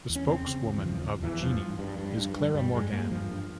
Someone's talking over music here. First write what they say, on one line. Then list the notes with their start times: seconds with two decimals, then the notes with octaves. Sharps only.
The spokeswoman of Gini is Clara Morgane.
0.10 E2
0.15 C#4
0.28 C#3 C4
0.48 C#3
0.67 E2
0.78 E3
0.85 C#3 F3
1.03 E2
1.22 E2 E3
1.42 G2 F3
1.61 G2
1.79 G2
1.98 G2
2.18 G2
2.36 G2
2.55 G2 G3
2.73 G2 G#3
2.92 G2 A#3
3.11 G2 F3
3.30 G2